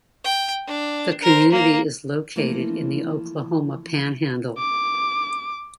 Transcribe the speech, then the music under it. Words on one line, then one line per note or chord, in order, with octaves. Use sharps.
The community is located in the Oklahoma Panhandle.
G5
D4
A#4 C5
A#3
E3 F3 A3 A#3
D6